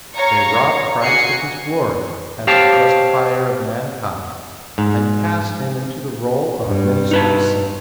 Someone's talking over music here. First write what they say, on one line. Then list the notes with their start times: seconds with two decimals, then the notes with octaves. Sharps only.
They rob Christ of His glory as the Justifier of mankind and cast Him into the role of a minister of sin.
0.14 C#5 F5 A#5 C#6
1.03 F#4 G#5 C7 C#7
2.47 G4 C5 C#5 F5 G5 A5
4.78 G#2
6.64 G2
7.11 D#4 B4 A5